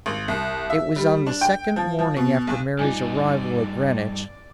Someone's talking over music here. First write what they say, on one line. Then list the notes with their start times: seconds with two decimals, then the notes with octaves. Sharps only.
It was on the second morning after Mary's arrival at Greenwich.
0.06 G#1
0.28 C2
0.70 E5
0.96 G3
1.27 D4
1.41 G5
1.76 F3
1.99 F3
2.17 B2
2.47 B1
2.79 G2 D#4 F4 D5 G#5